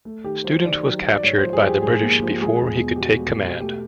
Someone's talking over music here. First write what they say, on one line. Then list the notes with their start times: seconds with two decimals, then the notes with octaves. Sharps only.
Student was captured by the British before he could take command.
0.05 A3
0.24 D#3 G4
0.44 F#3 C5
0.65 D#3 D5
0.84 F#3
1.04 F#3
1.14 D5
1.23 G#2 C#5
1.38 C5
1.43 F3
1.53 G#4
1.62 F3
1.67 G4
1.82 G#2 G#4
2.03 A#3
2.22 F3
2.41 G#3 G#4
2.61 E2
2.81 B2
2.96 G4
3.01 B2 F#4
3.21 G#3
3.41 B2
3.61 A3 G4